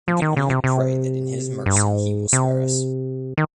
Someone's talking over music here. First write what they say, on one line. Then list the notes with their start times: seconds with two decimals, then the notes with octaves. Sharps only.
We can only pray that in His mercy He will spare us.
0.08 F3
0.22 D#3
0.37 C#3
0.50 C3
0.64 C3
1.66 G2
1.76 G#2
2.33 C3
3.38 D#3